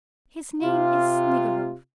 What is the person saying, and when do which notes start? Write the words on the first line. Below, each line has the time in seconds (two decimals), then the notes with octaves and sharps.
His name is Snegiryov.
0.62 C3 F4